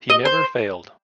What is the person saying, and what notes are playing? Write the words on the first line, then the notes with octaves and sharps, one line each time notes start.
He never failed.
D#5
C5